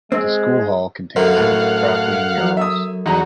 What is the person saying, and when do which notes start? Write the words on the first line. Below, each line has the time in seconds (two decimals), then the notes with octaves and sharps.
The School hall contains the 'Brockley murals'.
0.12 G#3 C4
1.16 F#2 D3 A#4 C5 F5 F#5
1.37 A2
2.38 F#3
2.57 E5 D#6
3.06 E2 D#4 F#4 A#5